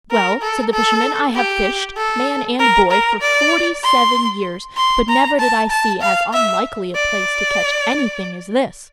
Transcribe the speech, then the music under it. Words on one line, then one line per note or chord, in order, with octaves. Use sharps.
"Well," said the fisherman, "I have fished, man and boy, for forty-seven years, but never did I see as unlikely a place to catch anything as this."
A#4
A4
A4
G4
A4
A#4
A#4
D5
C6
C6
A#5
A5
A5
F5
E5
D5